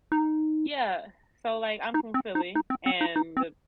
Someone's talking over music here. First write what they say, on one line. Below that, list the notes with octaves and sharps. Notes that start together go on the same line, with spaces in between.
Yeah, so, like, I'm from Philly, and
D#4
D#4
C4
D#4
D#4
C4
C4
D#4
D#4
C4